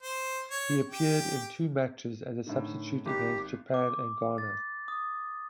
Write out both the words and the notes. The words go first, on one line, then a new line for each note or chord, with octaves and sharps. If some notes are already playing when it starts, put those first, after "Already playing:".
He appeared in two matches as a substitute, against Japan and Ghana.
C5
C#5
G4
A2 D3 D#3
G#1 G4
D6
A6
D#6